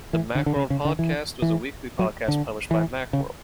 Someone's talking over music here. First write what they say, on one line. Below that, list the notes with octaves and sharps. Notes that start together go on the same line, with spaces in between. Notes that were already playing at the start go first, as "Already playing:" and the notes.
The Macworld Podcast was a weekly podcast published by Macworld.
E3
D3
D3
C#3
C#3
D3
E3
E3
F#3
D3
E3
C#3